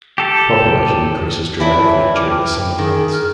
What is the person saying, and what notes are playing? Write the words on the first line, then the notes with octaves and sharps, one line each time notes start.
Population increases dramatically during the summer months.
G4 A4
E3 C4 E4 C#5 D5 A5
A5 D6 F6
G5
D#3 G#4
F6